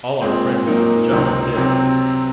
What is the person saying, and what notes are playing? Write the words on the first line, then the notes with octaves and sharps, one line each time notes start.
All our friends gave a jump, at this.
A#2 G#3 C4
A#2 F#3 A#3 D#4
C#2 C3 F#3 C4 D#4
C3 F#3 C4